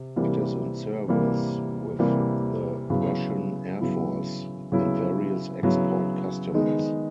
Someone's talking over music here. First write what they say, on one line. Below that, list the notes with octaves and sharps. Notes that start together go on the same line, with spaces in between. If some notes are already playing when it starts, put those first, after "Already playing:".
It is in service with the Russian Air Force and various export customers.
Already playing: C3
C3 E3 G3 A#3
C3 E3 G3 A#3
C3 E3 G3 A#3
C#3 F#3 B3 E4
C#3 F#3 B3 E4
C#3 F#3 B3 E4
C#3 F#3 B3 E4
D#3 G#3 B3 D#4